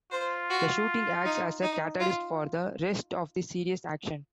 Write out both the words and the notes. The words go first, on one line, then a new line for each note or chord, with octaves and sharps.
The shooting acts as a catalyst for the rest of the series' action.
F4 C5
F#4
D#4
D#4
F4